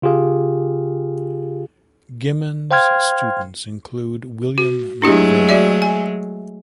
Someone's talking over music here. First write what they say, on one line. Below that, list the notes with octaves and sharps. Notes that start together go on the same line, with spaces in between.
Gimond's students include William McVey.
C#3 F4 G4 G#4 F5
C5 F5 G5 C6 F6 G#6
F#4
F#3 G#3 A3 D4 E4 G4
F#4 D5 E5
G#5